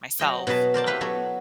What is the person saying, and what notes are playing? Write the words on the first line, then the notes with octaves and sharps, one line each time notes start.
myself, um,
F#3 D#5 G5
B2 F#3 G#4 B4 A5
A#4 C5 D5 A5
E4 G4 B4 F5
F#3 B3 A4 C#5